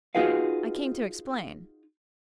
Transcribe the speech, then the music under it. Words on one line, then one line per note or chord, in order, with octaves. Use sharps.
I came to explain.'
D#4 F4 F#4 G#4 B4 F5